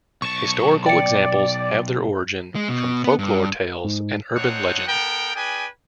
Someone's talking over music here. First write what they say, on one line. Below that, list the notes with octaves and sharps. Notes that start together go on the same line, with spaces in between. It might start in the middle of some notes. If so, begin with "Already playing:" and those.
Historical examples have their origin from folklore tales and urban legends.
B1 A5 C#6
D5 G5 C#7
G#3
B2
B3
G2
G#2
C4 D4 D#4 C#5 F#5
B3 A4 A#4 G5
D4 G#4 B4 G5 G#5